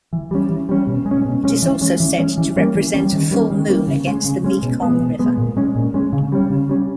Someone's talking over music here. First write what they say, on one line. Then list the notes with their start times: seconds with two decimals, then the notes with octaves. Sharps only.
It is also said to represent a full moon against the Mekong River.
0.13 E3
0.31 G3 C#4
0.50 E3
0.69 G3 C#4
0.87 B2
1.06 G#3
1.11 C#4
1.25 B2
1.44 G#3 C#4
1.62 E3
1.81 G#3 C#4
2.00 E3
2.18 G#3 C#4
2.38 E3
2.56 G3 A#3 C#4
2.75 E3
2.94 G3 A#3 C#4
3.13 D#3
3.31 G3 A#3 C#4
3.50 D#3
3.69 G3 A#3 C#4
3.88 C#3
4.07 G#3 C#4
4.25 C#3
4.44 G#3 C#4
4.63 B2
4.82 G#3 B3
5.00 B2
5.19 G#3 B3
5.38 A#2
5.57 G#3 C#4
5.76 A#2
5.94 G#3 C#4
6.13 C#3
6.32 G3 C#4
6.50 C#3
6.69 G3 C#4